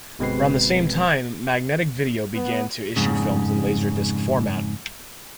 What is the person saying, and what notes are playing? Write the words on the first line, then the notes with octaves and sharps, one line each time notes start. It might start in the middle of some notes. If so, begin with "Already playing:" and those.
Around the same time, Magnetic Video began to issue films in laserdisc format.
G1 B2 G#3 C4 B4 C7
B3
F2 G#2 C#3